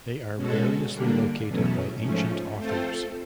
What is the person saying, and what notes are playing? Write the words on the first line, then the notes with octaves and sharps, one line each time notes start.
They are variously located by ancient authors.
B2 G#3 C#4 F#4 A4
D3 G3 A#3 D4
E2 B2 F#3 A3 C#4
G#2 F3 A3 C#4
A3 C4 F4 A4 C5